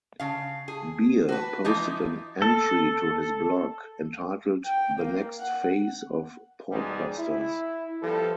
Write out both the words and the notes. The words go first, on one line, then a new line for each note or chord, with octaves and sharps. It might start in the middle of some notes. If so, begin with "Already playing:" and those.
Bear posted an entry to his blog entitled The Next Phase of Porkbusters.
C#3 F5
G#4
F#4 B4
E3 F3 D#4
A4
G5
A#3
F#5
G#1 G#2 B2 G3 G#3 G#4
E4
F3 G3 B3 A4